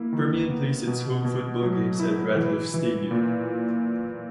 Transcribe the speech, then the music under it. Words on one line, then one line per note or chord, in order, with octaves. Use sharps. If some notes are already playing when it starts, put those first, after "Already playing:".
Permian plays its home football games at Ratliff Stadium.
Already playing: A#3 E4
D#3
B3
B2
B2
F#3
E4
E3
E3
A#2